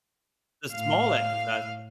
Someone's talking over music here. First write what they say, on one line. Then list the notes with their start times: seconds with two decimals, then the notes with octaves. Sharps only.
the small exercise
0.74 A2 F5